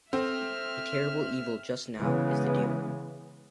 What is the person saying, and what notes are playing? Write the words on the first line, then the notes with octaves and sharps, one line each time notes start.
A terrible evil just now is the dew.
C4 A4 E5 F6
C#3 E3 G#3 B3